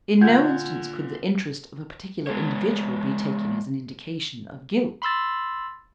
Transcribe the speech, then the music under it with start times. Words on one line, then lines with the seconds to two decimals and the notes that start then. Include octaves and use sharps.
In no instance could the interest of a particular individual be taken as an indication of guilt.
0.21 A#2 D3 F#5 G6 G#6
2.27 G#3 B3 C#5
5.02 B5 C6 E6 A6